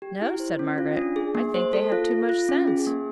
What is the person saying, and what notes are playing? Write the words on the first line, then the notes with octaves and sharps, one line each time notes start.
'No!' said Margaret; 'I think they have too much sense.'
G4
E4
C5
C#4
F4
D4
G#4
A#3
C5
A4
F4
F4
F4
C#4
G#4
A#3